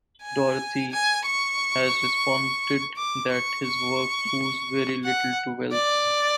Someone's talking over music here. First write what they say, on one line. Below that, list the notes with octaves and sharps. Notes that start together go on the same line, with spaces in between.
Doherty has responded that his work owes very little to Wells.
G#5
G#5
C#6
D6
C#6
C#6
F#5
D5